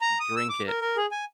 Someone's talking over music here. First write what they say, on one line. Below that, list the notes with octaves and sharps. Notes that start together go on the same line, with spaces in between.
drink it,
A#5
D#6
E6
D6
A#4
A#4
G#4
G#5